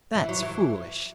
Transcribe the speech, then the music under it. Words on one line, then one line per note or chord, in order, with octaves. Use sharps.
"That's foolish."
E3
F#3
E3